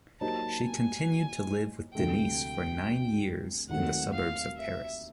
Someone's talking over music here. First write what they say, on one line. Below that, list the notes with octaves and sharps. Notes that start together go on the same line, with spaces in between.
She continued to live with Denise for nine years in the suburbs of Paris.
F#3 A#3 D#4 G4 C5 A5
G#5
D2 C3 F3 A3 G5
D#2 D#3 F#3 A3 C4 F#5
F5
E5